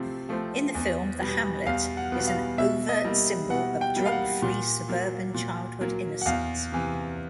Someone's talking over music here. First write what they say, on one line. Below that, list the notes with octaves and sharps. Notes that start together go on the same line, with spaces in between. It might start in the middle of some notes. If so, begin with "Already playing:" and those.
In the film, the hamlet is an overt symbol of drug-free suburban childhood innocence.
Already playing: C3 F3 A3 C4
F3 A3 C4
E2
B2 G3 B3
E2 F5
F#5
B2 G3 B3
F5
B2 E5
D#5
G3 A#3
B2 F#5
G5
G3 A#3
F5
F#5
A#2
F#3 A#3
A#2
F#3 A#3
F#5
E2 F5
C3 E3